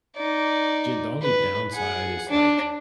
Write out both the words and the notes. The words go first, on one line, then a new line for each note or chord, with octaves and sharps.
ju The only downside is, like
D#4 D5
B4
G#4 F#5
D4